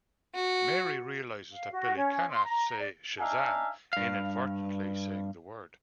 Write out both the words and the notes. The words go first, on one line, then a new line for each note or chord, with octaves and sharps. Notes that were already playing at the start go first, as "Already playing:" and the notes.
Mary realizes that Billy cannot say Shazam, inadvertently saying the word.
F#4
F5
F#4
C#4
C6
A#5
D5
D4 D#4 E5 F5 G#5
G2 F5